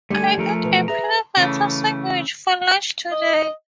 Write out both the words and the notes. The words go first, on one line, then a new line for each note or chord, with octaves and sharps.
I ate a peanut butter sandwich for lunch today.
D3 G3 A3 G4 G#5
F3 A3 A#4
B2 E3
G#4 B4 E5 A#5
C#3 E3 A3
D#5